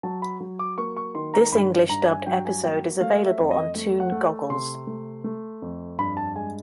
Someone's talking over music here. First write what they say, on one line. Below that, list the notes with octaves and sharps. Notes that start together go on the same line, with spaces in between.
This English dubbed episode is available on Toon Goggles.
F#3 A5
B5
F#3
D6
A#3 C#6
C#6
D#3 C6
A#5
G2 B5
G2 A#5
G#5
F#3 G5
G#5
A#3 G5
A3 F5
E5
F2
D#5
A3
F#5
A3
C3 C6
A3
A3
F2
G2 B5
A5
G#3 G#5